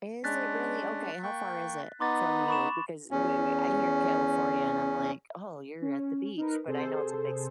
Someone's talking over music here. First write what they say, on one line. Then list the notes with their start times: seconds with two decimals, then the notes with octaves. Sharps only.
Is it really okay. How far is it from you? Because we we I hear California and I'm like, "Oh, you're at the beach" but I know it's a big s
0.24 G#3 C#4 D4 F#6 A6 B6
1.23 A#3 G5 C#6
2.00 B3 D#4 C6 D6 A6
2.48 B5 C#6 E7
3.11 E2 C#4
5.82 C#4
6.38 D#4 A#4 B4
6.67 C3 G#4 A4 C5